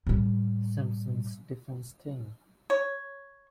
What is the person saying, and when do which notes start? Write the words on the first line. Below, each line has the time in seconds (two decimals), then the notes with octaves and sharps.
Simpson's defense team.
0.07 A2 G3
2.70 C#5